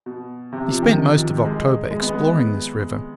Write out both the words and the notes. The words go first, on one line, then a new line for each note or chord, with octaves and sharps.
He spent most of October exploring this river.
B2
C3
F3
D#3
F3
G#3
G#3
B3
G#3